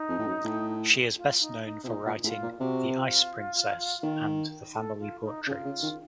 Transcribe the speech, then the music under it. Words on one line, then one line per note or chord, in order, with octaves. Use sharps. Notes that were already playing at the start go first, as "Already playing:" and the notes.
She is best known for writing "The Ice Princess" and The Family Portraits.
Already playing: D#4
F2
A2
F#2
A2
F4
D#4
D#4
C3
A#2 D#4
A#2
A2 A4
F4
A#2
C3 F#4
F4
D#3
A4
F4
D#4
C#3 A4
F4
C#3
D#3